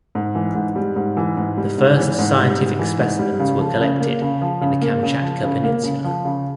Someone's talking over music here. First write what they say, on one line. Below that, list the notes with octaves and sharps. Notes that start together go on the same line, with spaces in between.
The first scientific specimens were collected in the Kamchatka Peninsula.
G#2
E3
G#2
G3
G#2
E3
G#2
G3
G#2
E3
G#2
G3
G#2
E3
G#2
G3
C#3
F3
C#3
A#3
C#3
F3
C#3
A#3
C#3
F3
C#3
A#3
C#3
F3
C#3